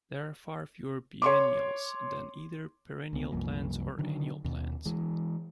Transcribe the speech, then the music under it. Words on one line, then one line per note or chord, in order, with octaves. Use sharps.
There are far fewer biennials than either perennial plants or annual plants.
C#5 C6 D6
C#2 B3
C2 F#2 F3 A#3
D3 D#3 F#3
D#2 B2
E3 G#3